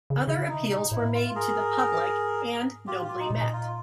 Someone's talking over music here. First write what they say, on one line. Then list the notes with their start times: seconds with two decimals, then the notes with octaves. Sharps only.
Other appeals were made to the public, and nobly met.
0.10 C#3
0.28 C#3 E4
0.44 D3
0.49 D#4
0.60 C3
0.71 D#4
0.76 A2
0.92 A2 E4
1.14 F4
1.25 G#2
1.35 G#4 A#4
2.87 A2 F4 G4
3.04 A#2 F4
3.20 D#4
3.30 A#2
3.36 D#4
3.53 F4